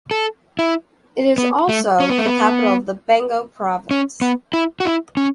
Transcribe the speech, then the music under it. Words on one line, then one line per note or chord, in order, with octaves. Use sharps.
It is also the capital of the Bengo province.
A4
E4
B3
A3
C#4
B3
A3
B3
C#4
B3
E4
F#4
E4
C#4